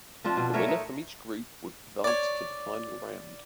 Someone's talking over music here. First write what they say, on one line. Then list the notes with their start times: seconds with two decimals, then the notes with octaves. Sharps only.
The winner from each group would advance to the final round.
0.24 F3 C4 D4 F4
0.37 B2
0.54 A3 A#4 C#5 E5
0.68 D#4
2.04 C#5 D5